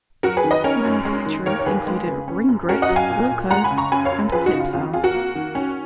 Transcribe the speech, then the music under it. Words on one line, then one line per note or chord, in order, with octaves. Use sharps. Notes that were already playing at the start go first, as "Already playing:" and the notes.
Manufacturers included Ring Grip, Wilco and Clipsal.
F#3 F#4 A#4
G#4 B4
D#3
B4 D#5
C#4 A#4 C#5
F#2
G#3
D#3
D#2 A#4 C#5
C#5
D#2 G#4 B4
G#3
C#3
C#4
F#2
C#4 F#4 A#4
D#5 F#5
F#3
F5 G#5
A#2
A#2
G#3 F#5 A#5
G#5 B5
C#3
A#5 C#6
F#2 G#5 B5
C#5 F5
F#2
F3 G#4 B4
D#4 F#4
C#3
F4
F2 F4
F2 F4 G#4
F#4 A#4
A#3
D#3
C#4